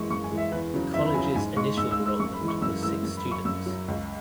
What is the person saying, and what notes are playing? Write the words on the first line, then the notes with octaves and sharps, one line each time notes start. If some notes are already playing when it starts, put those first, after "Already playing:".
The college's initial enrollment was six students.
Already playing: F#2 E3 G#3 C#6
F#2 C#6
G#5
E3 G#3
E5
E2 B4
C#3 F#3
E2 E5
B5
C#3 F#3 G#5
G#2 G#5
G#3 C#6
G#2 E6
E6
G#3
E6
F#2 C#6
B5
E3 G#3
C#6
F#2 E6
E3 G#3 E6
F#2
B5
F#3
C#6
F#2 E6
F#3
C#2